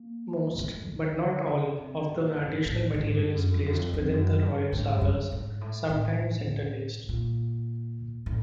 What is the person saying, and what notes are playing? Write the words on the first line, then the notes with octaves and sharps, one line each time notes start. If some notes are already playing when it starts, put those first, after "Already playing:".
Most-but not all-of the additional material is placed within the royal sagas, sometimes interlaced.
Already playing: A#3
A3
D#3
D3
C#3
C3
B2
A#2
A2
A2
G2
G#2
G2
F#2
F2
F#2
F2
F2
F#2
G2
G#2
F#2
G2
G#2
A2
A2
A#2
A2